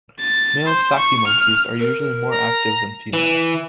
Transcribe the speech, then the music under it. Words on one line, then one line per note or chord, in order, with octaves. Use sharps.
Male saki monkeys are usually more active than females.
A6
C5
C#6
F6
A#4
A#5
E3